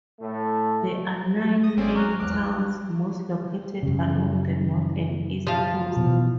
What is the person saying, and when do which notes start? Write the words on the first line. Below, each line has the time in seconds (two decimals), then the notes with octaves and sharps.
There are nine main towns, most located along the north and east coasts.
0.20 A2 A3
1.63 D#6 A#6
1.77 G#1 F#3 C4 C#4 G#4 D5
1.95 G#5 A#5 C#6 F6 F#6
2.20 A#1 E2 D6 F6 F#6
3.83 F#2 C#3
5.47 F3 F5
5.97 B2 E3